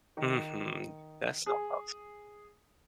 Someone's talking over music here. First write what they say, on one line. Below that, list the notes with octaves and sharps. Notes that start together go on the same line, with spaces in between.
Mhm. That's so awes
D#3
G#4